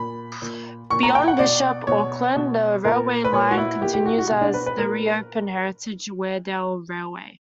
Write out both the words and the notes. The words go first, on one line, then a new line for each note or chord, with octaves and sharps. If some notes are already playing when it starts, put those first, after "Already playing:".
Beyond Bishop Auckland, the railway line continues as the re-opened heritage Weardale Railway.
Already playing: A#2 B5
A#2
A#2 C#6
A#5
G5
F#5
B2 D5
B2 C#5
B2
A#2 A#4
B4
A#2 C#5
F#4
E4
A#2 G4
G4
F#4
F#4
B2
D4
B4
B4
A#2 A#4